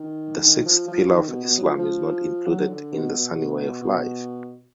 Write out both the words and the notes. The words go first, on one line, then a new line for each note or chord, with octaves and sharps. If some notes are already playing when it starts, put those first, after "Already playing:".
The sixth pillar of Islam is not included in the Sunni way of life.
Already playing: D#3
D#3
F3
F3
D#3
B2
B2
F#3
F3
F3
F#3
D3
B2
B2
B2